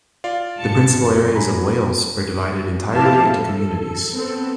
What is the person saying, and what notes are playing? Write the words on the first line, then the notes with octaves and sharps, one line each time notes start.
The principal areas of Wales are divided entirely into communities.
F4 D5 F5
G#2 A5 C#7
B1 F#2
G#5 A#5 B5
F3 A3 E4 G4 F5 A5
A4
B3 C4 A4